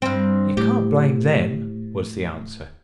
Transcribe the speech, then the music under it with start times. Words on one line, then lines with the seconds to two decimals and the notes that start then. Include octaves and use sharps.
"You can't blame them," was the answer.
0.02 G2 C4
0.57 A2 G4